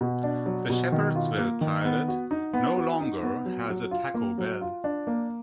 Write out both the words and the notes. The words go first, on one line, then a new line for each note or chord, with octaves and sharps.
The Shepherdsville Pilot no longer has a Taco Bell.
B2
D4
F#3
B2
D#3
F4
A#3
D#3
B3
F#4
D#4
B3
F#4
D#4
B3
F#3
F#3
F4
A#3
F#3
F4
D4
A#3